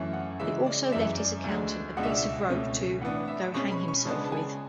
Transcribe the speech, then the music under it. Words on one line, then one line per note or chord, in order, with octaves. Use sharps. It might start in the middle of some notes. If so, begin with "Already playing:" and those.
He also left his accountant a piece of rope to "go hang himself with".
Already playing: F#2 E3 A3 C#4
F#5
C#3 E3 G#3 E5
D5
D5
F#2 E3 G#3 E5
D5
D2 D3 G#3
C#2 B2 G#3 D4 F#5
E5
D5
E5
C#2 B2 A3 C#4
A2 E3 B3 D4 F#5
E5
B2 G#3 C#4 C#6
B5
C#6
C#3 G#3 B3 D4 A5
A5
G#5